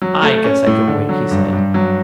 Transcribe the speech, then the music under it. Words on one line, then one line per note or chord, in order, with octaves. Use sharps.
"I guess I can wait," he said.
F#3
A3
C#4
A2
D3
F#3
G2
G2
F#3